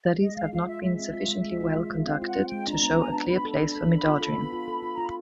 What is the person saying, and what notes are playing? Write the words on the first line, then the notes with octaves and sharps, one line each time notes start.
Studies have not been sufficiently well conducted to show a clear place for midodrine.
G#3 D#5
G#3 F5
F4 F5
F4 E5
G#3 E5
C4
F4
G#3
G#3
F4
G#3
G#3
C4 F5
F4 F5
F#5
C4
G5
G#3
D4 A#5
B3
B3 G#5
D4 A5
A#5
B3 B5
A4 B5
D4
B5
A4
D4
F4
A4
B3
F4
A4
F4
F4 A#5
B5